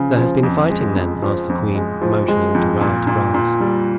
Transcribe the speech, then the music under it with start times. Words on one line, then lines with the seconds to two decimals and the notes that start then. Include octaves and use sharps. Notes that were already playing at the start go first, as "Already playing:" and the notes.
"There has been fighting, then?" asked the queen, motioning to Raoul to rise.
Already playing: C#3 F3
0.17 F3
0.43 F2
0.69 G#3
0.95 F2
1.22 F3
1.49 F2
1.75 G#3
2.02 F3
2.28 G#3
2.55 F2
2.81 A#2
3.07 A#2
3.34 A#2
3.60 G3